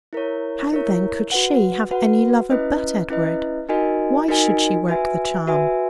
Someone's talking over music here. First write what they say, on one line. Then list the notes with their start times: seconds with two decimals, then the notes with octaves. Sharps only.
How, then, could she have any lover but Edward? Why should she work the charm?
0.13 E4 A#4 C#5
0.73 E4 A#4 C#5
1.32 F#4 B4 F#5
1.91 F#4 B4 F#5
2.50 C#4 E4 B4 D#5
3.10 C#4 E4 B4 D#5
3.69 D#4 F#4 A#4 D#5 G#5
4.29 D#4 F#4 A#4 D#5 G#5
4.89 F#4 B4 E5 G#5
5.47 F#4 B4 E5 G#5